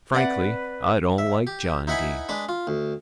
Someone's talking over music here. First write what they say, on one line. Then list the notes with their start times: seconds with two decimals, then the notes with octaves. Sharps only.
"Frankly, I don't like John Dene."
0.14 C4 B4 D5 E5 F#5
1.18 E5
1.47 G4
1.87 D#4 E4 B4 F#5 G#5 B5
2.29 G#3 D4 B4
2.49 F4
2.67 D2